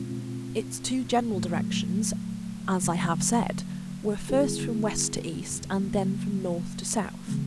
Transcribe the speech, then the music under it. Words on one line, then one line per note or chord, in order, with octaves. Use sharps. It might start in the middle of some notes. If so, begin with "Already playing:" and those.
Its two general directions, as I have said, were first from west to east, and then from north to south.
Already playing: B2 G#3 C4 F4
A#2 F#3 A3
D3 F#3 A#3
D3 G3 B3 E4 G#4
C#3 F#3 A#3
C#3 E3 G#3 B3